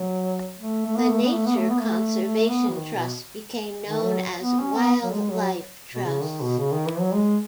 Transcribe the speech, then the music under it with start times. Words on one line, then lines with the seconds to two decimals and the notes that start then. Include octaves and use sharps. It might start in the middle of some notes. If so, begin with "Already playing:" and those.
The Nature Conservation Trusts became known as Wildlife Trusts.
Already playing: F#3
0.59 A3
0.86 A3
0.98 B3
1.10 A3
1.22 B3
1.33 A3
1.47 B3
1.57 A3
1.70 B3
1.81 A3
2.22 A3
2.50 B3
2.69 E3
2.77 D#3
2.96 B2
3.87 D#3
4.05 F#3
4.40 B3
4.60 C#4
4.77 B3
5.03 F#3
5.14 G#3
5.32 F#3
5.95 B2
6.05 C#3
6.22 D#3
6.41 B2
6.59 C#3
6.72 D#3
6.86 E3
7.00 F#3
7.14 G#3